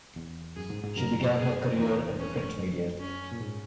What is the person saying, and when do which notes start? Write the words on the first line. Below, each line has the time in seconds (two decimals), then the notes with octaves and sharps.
She began her career in the print media.
0.16 E2
0.56 F#2 G#4
0.70 G#2
0.84 G#2
0.97 F#2 A#4
1.38 G#4
1.78 E2 D#4
2.19 C#4
2.59 F#2
3.00 C#4
3.31 A#2
3.41 G#2